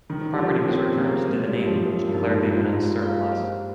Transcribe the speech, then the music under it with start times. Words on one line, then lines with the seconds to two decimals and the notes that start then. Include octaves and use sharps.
The property was returned to the Navy which declared the units surplus.
0.10 D#3 C#4
0.34 G3
0.38 F3 C#4
0.68 C4 C#5
0.97 A#3 G#4
1.27 G#3 C#5
1.46 G3
1.56 A#3
1.66 F3
1.85 A#2 A#4
2.07 G2
2.14 G#2 D#4
2.44 G2 F4
2.58 G#2
2.73 G3 F4
2.88 G#3
3.02 A#3 F5
3.32 C5